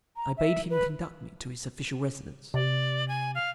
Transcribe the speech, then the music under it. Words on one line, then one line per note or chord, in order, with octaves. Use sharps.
I bade him conduct me to his official residence.
A#5
E5
B4
C3 D5
G#5
F5